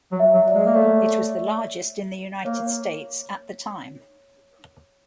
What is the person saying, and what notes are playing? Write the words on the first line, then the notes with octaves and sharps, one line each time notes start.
It was the largest in the United States at the time.
F#3
E5
F#3
D5
G#3
A#3
A3 C#5
A#3 C#5